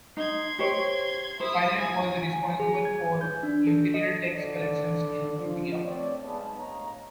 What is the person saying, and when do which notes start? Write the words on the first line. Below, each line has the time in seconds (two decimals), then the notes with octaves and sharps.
Pilate was responsible for imperial tax collections in Judaea.
0.17 D#4 C6 G#6
0.59 G4 C5 C#5
1.40 E4 C5 D#6
1.79 G#5
2.33 G#5
2.60 G#4
2.85 G#6
3.21 G6
3.43 D4
3.67 A4
3.94 D#5
4.32 D3 A4 D5
5.38 F3
5.84 A3 C4 C#5 D5
6.25 B1 G#3 B3 A5
6.57 D2 A2 C#5 D#5 F5 A#5